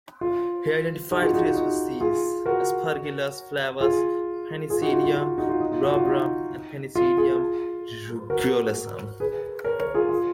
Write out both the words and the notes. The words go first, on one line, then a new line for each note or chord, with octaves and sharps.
He identified three species - Aspergillus flavus, Penicillium rubrum and Penicillium rugulosum.
F4
D#4 F#4
F4 G#4
D#4 F#4
F4
D#4 F#4
F4 G#4
F#4 A#4
F4 G#4
F4 G#4
D#4 F#4
F4
F4
F4
D#4 F#4
F4
D#4
F4
D#4 F#4
F4
D#4
F4
F4 G#4
F#4 A#4
G#4 B4
A#4 C#5
A#4 C#5
F4 G#4
F4